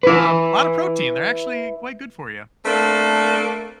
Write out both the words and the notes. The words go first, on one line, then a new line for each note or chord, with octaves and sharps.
um, a lotta of protein, they're actually quite good for you.
E4 B4
A3 A#3 C4 D4